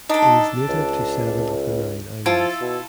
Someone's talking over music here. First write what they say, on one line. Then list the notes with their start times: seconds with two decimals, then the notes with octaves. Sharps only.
It is native to seven of the nine islands.
0.09 D4 D#4 A4
0.68 C#2
2.26 F3 E4 F4 A4
2.61 B2